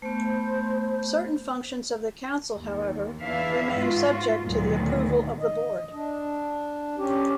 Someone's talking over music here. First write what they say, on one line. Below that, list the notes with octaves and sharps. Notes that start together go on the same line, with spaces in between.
Certain functions of the Council, however, remained subject to the approval of the Board.
A3 B3 C5
D#2
E2 D4 E4 B4 E5 F5
G#2 F4 F#4
D2 A#2 D#3 F#3 B3
D#5
D4
C#4 G4